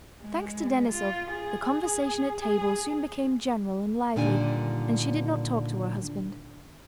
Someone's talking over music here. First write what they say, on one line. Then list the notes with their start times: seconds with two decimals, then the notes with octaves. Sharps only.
Thanks to Denisov the conversation at table soon became general and lively, and she did not talk to her husband.
0.21 G#3
0.92 F4
1.30 G#4
2.41 G#4
4.16 A#2 D3 D#3 G3 D4 G#5